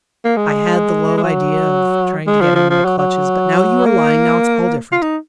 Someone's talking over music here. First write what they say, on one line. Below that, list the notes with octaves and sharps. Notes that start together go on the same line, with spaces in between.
I had the low idea of trying to get him in my clutches, but now you are lying, now it's all different.
A#3
G#3
G#3
F#3
G#3
F3
F3
F3
F#3
F#3
A#3
F4
D#4